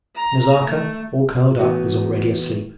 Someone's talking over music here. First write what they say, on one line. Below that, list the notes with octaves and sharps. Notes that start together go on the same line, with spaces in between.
Nazarka, all curled up, was already asleep.
A#5
A3
A2 E3 F#3 B3 D#4 F#4